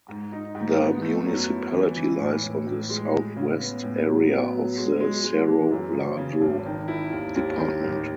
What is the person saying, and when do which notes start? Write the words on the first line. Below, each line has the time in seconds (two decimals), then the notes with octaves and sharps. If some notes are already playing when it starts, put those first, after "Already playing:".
The municipality lies on the southwest area of the Cerro Largo Department.
0.08 G#2
0.32 D#4
0.55 G#2
0.78 B3
1.02 A3
1.26 F#2
1.49 E4
1.72 E3
1.96 E3
2.20 A2
2.43 A2
2.67 A2
2.89 G#3
3.14 G#3
3.36 C#3
3.60 B3
3.83 A2
4.06 F#3
4.30 B3
4.54 F#3
4.77 G#3
5.00 G#3
5.24 G#3
5.48 E3
5.71 F#2
5.94 C#3
6.18 C#3
6.41 G#1
6.65 D#3
6.88 E4
7.12 D#2
7.35 D#2
7.58 D#3
7.82 A1